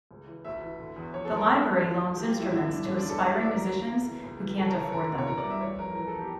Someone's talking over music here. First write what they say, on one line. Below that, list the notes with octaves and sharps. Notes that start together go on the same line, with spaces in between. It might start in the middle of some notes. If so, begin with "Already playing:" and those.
The Library loans instruments to aspiring musicians who can't afford them.
C#2
E3
D2 E5
E3
D3
E2
F2 C#5
A4
E3
A#4
D2 A4
E3
D3
D2
E3 G4
F4
F2
E4
D3 E4
G2 D4
D3 C#4
D4
E2
A4
D2 C#5
D5
E3 E5
D3 A#4
D2
C#2
E3
C#2
E3
C#2 A4
A#4
E3
C#5
D3 A#4
D2
C#5
E3 A#4
D5
G2
E5
E3 C#5
F2 A#4
E3 A#4
A4
E2
G4